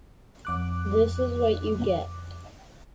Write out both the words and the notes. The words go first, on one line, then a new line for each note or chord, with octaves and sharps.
This Is What You Get.
F2 D6 F#6